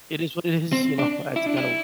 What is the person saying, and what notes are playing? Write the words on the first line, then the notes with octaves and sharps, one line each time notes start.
It is what it is, you know, I had to kind of,
C4
D4
E4
D4
E4